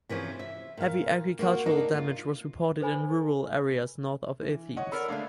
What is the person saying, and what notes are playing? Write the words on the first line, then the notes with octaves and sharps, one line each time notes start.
Heavy agricultural damage was reported in rural areas north of Athens.
C3 E3 F3 C#4
E5
A#2 F5
A#3 F4 F#4
A#3 D4 D#4
F4
A4 B4 C5 G#5 B5
E3
C#5 D#5 F#5
A4 A#4 D5 B5
D3 G#3 A3 D4 F5